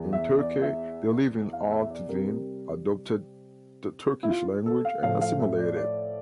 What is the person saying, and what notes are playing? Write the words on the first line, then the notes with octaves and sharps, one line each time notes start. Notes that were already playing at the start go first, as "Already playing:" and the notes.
In Turkey they live in Artvin, adopted the Turkish language and assimilated.
Already playing: E2 E3
E5
D5
E5
F5
E5
D5
C3 G3 C4 A#4
E4
F4
A4
F5
A2 F3 A3 F5
F5
E5
D5
D5